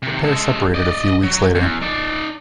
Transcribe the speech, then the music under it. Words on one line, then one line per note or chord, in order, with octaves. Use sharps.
The pair separated a few weeks later.
C3 D#3
G#3 A4
D5 D#5
F#3
E2
D#4 D5